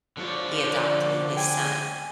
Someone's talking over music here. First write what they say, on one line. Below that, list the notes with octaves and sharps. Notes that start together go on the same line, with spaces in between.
he adopted his son,
D3 F3 C#5 D5
G#4 G5 G#5